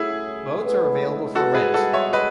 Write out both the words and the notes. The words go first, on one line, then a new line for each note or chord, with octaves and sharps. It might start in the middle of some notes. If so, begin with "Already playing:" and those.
Boats are available for rent.
Already playing: A2 F#3 C#4 E4 G#4
A2 E3 G#3 B3
B2 G#3 D#4 F#4 A4
G#4 B4
F#4 A4
C#5 E5
B2 A3 E4 B4 D#5